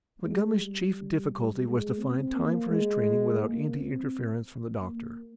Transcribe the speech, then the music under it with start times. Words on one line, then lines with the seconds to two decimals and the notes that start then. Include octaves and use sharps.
Montgomery's chief difficulty was to find time for his training without any interference from the doctor.
0.24 G#3
0.59 G3
1.65 G#3
2.00 C4
2.35 A#3
2.70 G#3
3.40 A#3
3.75 C4
4.82 A#3